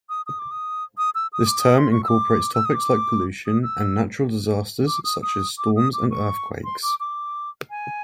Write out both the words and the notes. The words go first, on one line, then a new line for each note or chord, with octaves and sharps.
This term incorporates topics like pollution and natural disasters such as storms and earthquakes.
D#6
D#6
D6
D#6
D#6
E6
D#6
D6
D#6
C6
C#6
E6
D6
E6
D#6
D6
D#6
E6
D6
D#6
D#6
D6
D#6
D6
C#6
C6
D6
D6
G#5